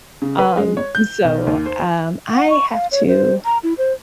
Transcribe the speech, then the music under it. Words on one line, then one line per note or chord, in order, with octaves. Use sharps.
um, so um, I have to
C#3
B4
G#3
C#5
G6
B1
D#2
C5
F#5
C#6
F5
C#5
C5
A#5
E4
C5